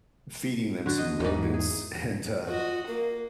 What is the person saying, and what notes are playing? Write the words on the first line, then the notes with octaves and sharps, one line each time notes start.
feeding them some rodents, and, uh
D3 F#4
D#5
E2 G#2
G#4
F4 F#4 D#5
A#3 A#4